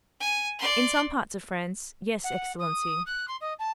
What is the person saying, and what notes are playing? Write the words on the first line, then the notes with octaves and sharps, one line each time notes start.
"In some parts of France--yes, excellency."
G#5
D5 C6
F#5
D#6
F#6
C6
D#5
A5